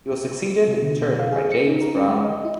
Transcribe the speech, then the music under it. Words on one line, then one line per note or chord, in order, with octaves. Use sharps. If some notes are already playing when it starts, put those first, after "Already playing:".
He was succeeded in turn by James Brown.
C3
D3
B2
F5
G#4
C#7
D#4
A#4
C#4
G#3
D#5
E4